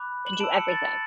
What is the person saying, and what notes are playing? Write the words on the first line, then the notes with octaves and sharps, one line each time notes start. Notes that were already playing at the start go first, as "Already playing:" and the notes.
Can do everything.
Already playing: B5 D6 F#6
F#7
E7
A5 E6 D7
C#7
A6